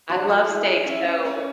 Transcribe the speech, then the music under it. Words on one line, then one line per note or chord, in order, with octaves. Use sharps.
I love steak, so
D4 F#4
F#4 A4
E4 G#4
C#4 E4
C#4